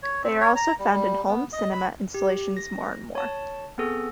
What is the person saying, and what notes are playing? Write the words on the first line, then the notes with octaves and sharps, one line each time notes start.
They are also found in home cinema installations more and more.
C#5
C4
C#5
A#5
G3
G3
B3
D#5
B5
G4
A#6
C#5 A5
B3 C4 G#4 A4